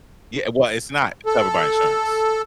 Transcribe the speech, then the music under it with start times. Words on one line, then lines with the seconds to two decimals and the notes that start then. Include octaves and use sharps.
Yeah. Well, it's not covered by insurance.
1.26 A4